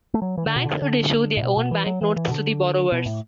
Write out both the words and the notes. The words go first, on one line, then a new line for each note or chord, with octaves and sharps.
Banks would issue their own bank notes to the borrowers.
A3
F#3
E3
D3
B2
D3
D3
A2
B2
B2
E3
F#3
E3
E3
B2
D3
B2
A2